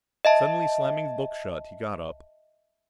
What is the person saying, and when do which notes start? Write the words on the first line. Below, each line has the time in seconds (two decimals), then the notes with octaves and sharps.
Suddenly slamming the book shut, he got up.
0.25 D#5 E5 A5